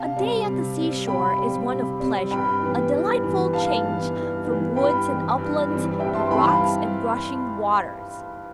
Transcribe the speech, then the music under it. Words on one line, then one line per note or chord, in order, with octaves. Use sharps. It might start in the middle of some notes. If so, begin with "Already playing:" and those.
A day at the seashore is one of pleasure, a delightful change from woods and uplands to rocks and rushing waters.
Already playing: C3 F5 A5
G3 C4
C3
G3 C4
C3 G5 B5
G3 C4
C3
G3 C4
G2 G5 B5
E3 B3
G2
E3 B3
G2 F5 A5
E3 B3
G2
E3 B3
G2 G5 B5
E3 G3 C4
G2
E3 G3 C4
G2 E5 G5
A5 C6
E3 G3 C4 G5 B5
F5 A5